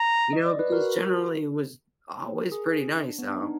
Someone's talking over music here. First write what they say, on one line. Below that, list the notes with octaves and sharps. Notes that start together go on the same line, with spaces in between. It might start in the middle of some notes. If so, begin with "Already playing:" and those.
you know, because generally it was always pretty nice out.
Already playing: A#5
D#5
D5
B4
F#4 A#4
A#4
G#4
D4
B3
D4
D#4